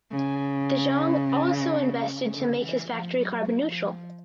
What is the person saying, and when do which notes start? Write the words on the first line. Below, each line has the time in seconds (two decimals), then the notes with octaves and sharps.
De Jong also invested to make his factory carbon neutral.
0.12 C#3
2.33 D3
2.62 E3
2.91 F3
3.20 F#3
3.65 F3